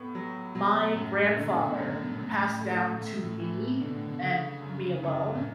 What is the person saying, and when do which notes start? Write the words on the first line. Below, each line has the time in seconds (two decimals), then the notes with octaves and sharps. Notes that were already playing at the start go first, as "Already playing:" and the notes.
my grandfather passed down to me, and me alone,
Already playing: A2 B3
0.15 F#3
0.55 B2 F#3
0.96 F#2 A2
1.37 A2 D3
1.46 B2
1.54 A2
1.63 B2
1.72 A2
1.77 F#2 B2
1.90 A2
1.99 B2
2.09 A2
2.18 F#2 B2
2.27 A2
2.59 A3
2.99 A2 A3
3.11 G#2
3.21 A2
3.40 A2 E3
3.80 B2 D3
3.95 A2
4.08 B2
4.21 C#3 A3
4.62 F#2
5.03 F#2
5.35 A2